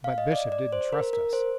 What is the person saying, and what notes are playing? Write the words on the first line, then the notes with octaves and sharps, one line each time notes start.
But Bishop didn't trust us.
F5
D#5
D5
D5
C5
A#4
A#4
C5